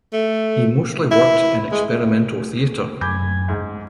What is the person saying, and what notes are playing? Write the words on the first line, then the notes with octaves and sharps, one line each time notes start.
He mostly worked in experimental theater.
A3
E4
G#3
F#2 G#5 B5 D6 G6
G#2